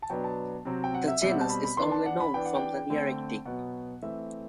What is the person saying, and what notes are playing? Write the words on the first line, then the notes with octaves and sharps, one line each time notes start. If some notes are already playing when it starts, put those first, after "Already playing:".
The genus is only known from the Nearctic.
A5
B2 F#3 B3 D4 G5
A5
C3 F#3 C4
G5
F#5
E5
B2 G3 C4 E5
F#5
A5
B5
B5
E3 B3 D4 C6
A5
F#5
B5
E3 B3 D4 G5
F#5
G5
D3 A3 C4
B2 F#3 B3 F#5
E3 A3 C4 E5